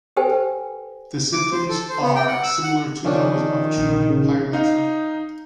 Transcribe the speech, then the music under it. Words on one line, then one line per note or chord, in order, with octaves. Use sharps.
The symptoms are similar to those of true pyometra.
G4 A4 B4 C5 G5 G#5
D6
C5
A4
C5
B3
G5
F#5
E6
F#5
D#3 F3 C#4 D4
A#1
C#3
D#4 F5